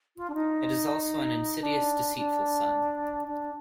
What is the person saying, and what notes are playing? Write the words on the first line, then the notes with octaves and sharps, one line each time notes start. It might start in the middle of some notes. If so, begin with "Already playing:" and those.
It is also an insidious, deceitful sun.
F4
D4
D#4
D4
D4
D4